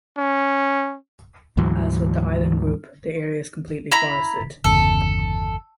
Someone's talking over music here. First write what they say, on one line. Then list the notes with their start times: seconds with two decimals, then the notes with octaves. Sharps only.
As with the island group, the area is completely forested.
0.17 C#4
1.57 D2 G#2 E3 F#3
3.92 E4 A#5 B5
4.64 G1 E2 C#3 A4